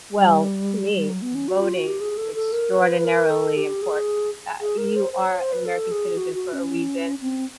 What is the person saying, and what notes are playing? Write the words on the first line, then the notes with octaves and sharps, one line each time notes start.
Well, to me, voting extraordinarily importance, ah, you are an American citizen for a reason.
G3
G3
F#3
B3
C#4
F#4
F4
F#4
G4
G#4
A4
A4
A#4
B4
A#4
A4
G4
G#4
G#4
A#4
C5
C5
C#5
C5
B4
A4
G#4
F#4
F#4
C#4
C4